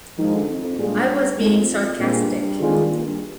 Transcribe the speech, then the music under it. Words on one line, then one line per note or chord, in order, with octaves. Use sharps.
I was being sarcastic.
D#3 F3 G#3 D#4
D3
F2
F2
G2 A#2 G#3 D4 F4 G#4
F2 G#3 D#4 G#4
G2 A#2 G#3 C4
G2
G2
F2 D#3 G#3 D4 F4 G#4
G2
A#2
G2